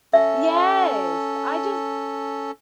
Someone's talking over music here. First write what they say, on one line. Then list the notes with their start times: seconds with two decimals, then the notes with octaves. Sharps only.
Yes! I just
0.13 C#4 A4 E5